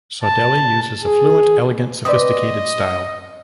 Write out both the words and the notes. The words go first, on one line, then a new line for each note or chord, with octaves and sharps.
Saudelli uses a fluent, elegant, sophisticated style.
A5
G#4
C4 G4 B4 D5 D#5 D#6